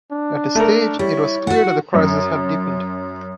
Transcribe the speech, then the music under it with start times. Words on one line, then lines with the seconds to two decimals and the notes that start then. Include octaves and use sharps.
At this stage, it was clear that the crisis had deepened.
0.12 D4
0.55 A3 A#4
0.99 G3 E4 C#5
1.47 F#4 F#5
1.94 F#2